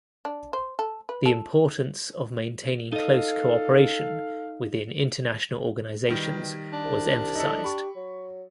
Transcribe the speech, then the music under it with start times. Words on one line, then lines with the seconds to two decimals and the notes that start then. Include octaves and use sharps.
The importance of maintaining close cooperation within international organizations was emphasized.
0.25 D4
0.53 C5
0.79 A4
1.09 B4
1.26 A4
2.93 D#4 A4 D#5 F5
6.09 B2 D#3 G3 G4
6.73 D4
6.84 C2
7.35 D#4 E4 A4
7.64 G4 B5 C#6
7.96 F#3